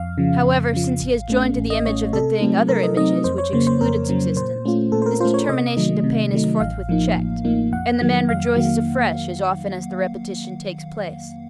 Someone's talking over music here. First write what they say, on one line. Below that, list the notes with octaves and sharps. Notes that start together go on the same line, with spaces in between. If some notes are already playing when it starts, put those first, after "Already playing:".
However, since he has joined to the image of the thing other images, which exclude its existence, this determination to pain is forthwith checked, and the man rejoices afresh as often as the repetition takes place.
Already playing: F2 F5
C#3 F3
F2
C#3 F3
A1
A2 A3 C#4
A1
D#5
A2 A3 C#4 C#5
C3 A4
F#3 A3 C4 D#4
C3 A#4
D#5
F#3 A3 C4 D#4 D#5
F2 C5
C#5
C#3 F#3 A#3 C5
C5
F2 A#4
C#3 F#3 A#3
A#2 C5
A3 C#4 F4
A#2 A4
C5
A#4
A3 C#4 F4 C5
C#5
C3 D#5
D#3 F#3 A3 D#4
C3
D#3 F#3 A3 D#4
A1 F5
A2 F3 A#3 D#4
A1
A2 F3 A#3 D#4
F2 F#5
D#3 F#3 A#3
F2 F5
D#3 F#3 A#3